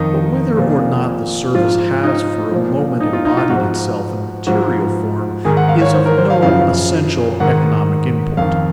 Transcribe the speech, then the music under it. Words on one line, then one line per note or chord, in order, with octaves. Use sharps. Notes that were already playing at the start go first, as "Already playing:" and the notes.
But whether or not the service has for a moment embodied itself in material form is of no essential economic import.
Already playing: F2 D#3 D#4
A#2 F3
G#2 F3 F4
D#4
A#2 F3
D#4
F4
D#4
F4
G#2 F3 F#4
G#2 F3 F#4
G#2 D#3 G#4
F#5
F5
C#5
C5
A#4
C5
F5
F#2 C#3 F3 F5
G#2 D#3 F#5
F2 D#3 F5